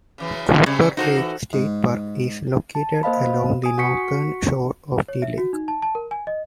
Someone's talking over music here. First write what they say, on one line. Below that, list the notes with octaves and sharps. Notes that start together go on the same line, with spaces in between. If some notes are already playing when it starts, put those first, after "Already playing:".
Cooper Lake State Park is located along the northern shore of the lake.
C#3 E3 F#3
C#3 G3 A3 C4
A#3 D#4 F4 F#4 A4 C5
E3
G#2
A5
A#3 C5 D#5 F5 B5
G#5 D#6
F#4 F#5 C#6 B6 C#7
C#5
E5
F#4
D#4
A5
A5
A#4
G#5
D#5